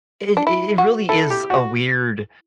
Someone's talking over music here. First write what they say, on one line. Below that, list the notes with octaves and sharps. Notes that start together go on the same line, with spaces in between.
it i it really is a weird
D4
E4
F#4
E4 A4
G4
F#4